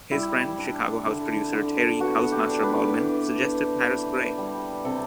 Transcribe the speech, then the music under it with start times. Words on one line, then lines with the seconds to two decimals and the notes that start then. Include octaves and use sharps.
His friend, Chicago house producer Terry 'Housemaster' Baldwin suggested Paris Grey.
0.11 G3 E4
0.58 D4
1.06 D3
1.53 D3
2.00 B3 F#4
2.32 G4
2.48 D4
2.63 B4
2.95 E3
3.43 E3
3.91 E3
4.38 G3
4.85 C3 A4